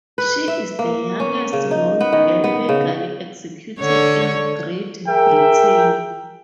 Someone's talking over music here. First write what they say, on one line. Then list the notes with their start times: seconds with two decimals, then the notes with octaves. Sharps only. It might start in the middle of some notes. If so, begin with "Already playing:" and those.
She is the youngest known girl legally executed in Great Britain.
0.18 B4
0.48 E5
0.79 A#3
1.20 C#4
1.53 C#3
1.71 D#4
2.01 B3
2.13 D#3
2.44 B3
2.69 C#3
3.80 D3 C#5
5.08 G#4 A#4 E5 G5